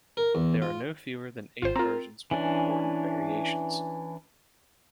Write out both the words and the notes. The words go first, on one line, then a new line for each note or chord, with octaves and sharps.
There are no fewer than eight versions with important variations.
A#4
E2
F4
G#1 F4 C5
C4 F4 A#4 A#5
E3 C#4 D4